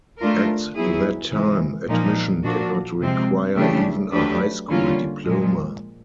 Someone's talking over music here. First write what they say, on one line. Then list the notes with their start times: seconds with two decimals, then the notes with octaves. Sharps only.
At that time, admission did not require even a high school diploma.
0.19 A3 D4 F4 A#4
0.75 F#3 B3 E4 G#4
1.32 C3 E3 G#3
1.88 A#2 F3 A#3 D#4
2.44 A#2 F3 A#3 D4 F#4
3.00 C3 F3 G#3 C4
3.56 C#3 E3 A3 D4 G4
4.12 F#3 A3 D4 G4 B4
4.68 D3 G3 A#3 C#4 F4
5.25 A#2 F3 G#3